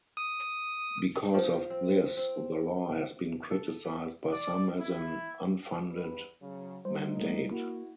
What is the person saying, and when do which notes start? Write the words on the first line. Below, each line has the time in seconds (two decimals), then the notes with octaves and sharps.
Because of this, the law has been criticized by some as an unfunded mandate.
0.17 D#6
1.34 F3
1.70 C4
2.17 C4
3.50 A4
3.85 B3
4.31 D5
4.79 E4
5.91 E2 G2 B4
6.42 C#3 F#3
6.85 F3 G3 D#4 C5
7.17 A3 A#3
7.51 A#3 E4 F#4